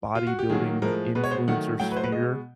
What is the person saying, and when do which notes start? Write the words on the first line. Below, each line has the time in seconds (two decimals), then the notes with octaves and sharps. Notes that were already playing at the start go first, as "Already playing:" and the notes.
bodybuilding influencer sphere
0.15 F4
0.27 F#4
0.39 G4
0.49 D#3 F#3 A#3 G#4
0.82 A2 F3 G#3 A#4
1.15 B2 G#3 B4
1.24 C#5
1.31 C5
1.48 D#3 F#3 A3 F#5
1.80 A2 F#3 A3 G5
1.92 B4
1.97 C5
2.04 B4
2.12 B2 G#3 D#5